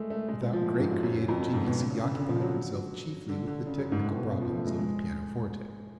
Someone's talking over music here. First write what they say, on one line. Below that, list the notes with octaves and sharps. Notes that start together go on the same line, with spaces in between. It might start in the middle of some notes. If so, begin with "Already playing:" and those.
Without great creative genius, he occupied himself chiefly with the technical problems of the pianoforte.
Already playing: G#3 A3
A3
G#3
G#3
F3
A2
G#2
F#2
F#2
F#2
F2
F#2
G#2
B2
C#3
C#3
C#3
D3
F3
F#3
D3
D3
C#3
F#2
G#2
A2
B2
C#3
F3
A3
G#3
G#3